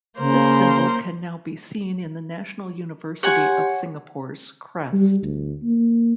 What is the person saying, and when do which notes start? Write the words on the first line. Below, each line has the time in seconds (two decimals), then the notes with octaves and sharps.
This symbol can now be seen in the National University of Singapore's crest.
0.19 C#3 A#3 C5
3.23 G4 C#5 F#5 G#5 C6
4.93 G3
5.23 D2
5.63 A#3